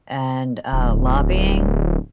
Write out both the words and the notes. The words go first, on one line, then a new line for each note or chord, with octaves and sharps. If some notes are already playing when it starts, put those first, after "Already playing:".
and, uh, lobbying.
D1